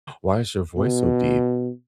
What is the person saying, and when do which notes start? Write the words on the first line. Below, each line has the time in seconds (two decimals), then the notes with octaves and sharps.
"Why is your voice so deep?"
0.76 B2